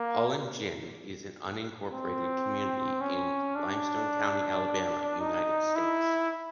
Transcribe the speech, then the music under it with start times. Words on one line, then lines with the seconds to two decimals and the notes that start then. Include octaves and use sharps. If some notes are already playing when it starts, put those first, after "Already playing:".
Holland Gin is an unincorporated community in Limestone County, Alabama, United States.
Already playing: A#3
1.91 C4
3.01 C#4
3.55 D4
5.20 D#4
5.76 E4